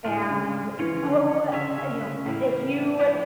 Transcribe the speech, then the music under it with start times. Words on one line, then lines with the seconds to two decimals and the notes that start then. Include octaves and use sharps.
and, oh, you know, if you s
0.05 A2 G3 D4 F4
0.30 C#3
0.79 C#3 E3 F3 C#4 F4 C#5
1.03 D3
1.28 D3
1.52 C#3 C#4 F4 C#5 E5
1.78 C#3
2.01 C#3
2.26 A2 C#3 E3 G3 A#3 E4
3.00 F3 A3 E4 G4